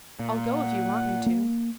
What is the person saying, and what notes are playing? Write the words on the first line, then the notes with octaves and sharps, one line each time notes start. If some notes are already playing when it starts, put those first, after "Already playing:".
"I'll go if you want me to."
A#2
F#5
A#3